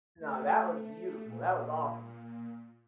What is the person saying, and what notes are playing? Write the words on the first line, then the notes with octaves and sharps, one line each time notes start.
No, that was beautiful, that was awesome.
A3
A#2